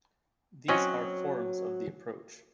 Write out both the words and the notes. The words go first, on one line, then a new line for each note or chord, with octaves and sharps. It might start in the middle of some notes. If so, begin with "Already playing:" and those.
These are forms of the approach.
F#3 C4 C#4 D#5